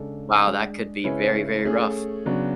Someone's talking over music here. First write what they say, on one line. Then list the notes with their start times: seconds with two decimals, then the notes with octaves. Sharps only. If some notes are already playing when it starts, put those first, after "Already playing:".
wow, that could be very, very rough.
Already playing: C#3 G#3 D4 A4
0.43 G#3 D4 G#4
1.04 C#3 G#3 C#4 E4 B4
1.65 A3 C#4 G#4
2.26 C#3 F#3 B3 D4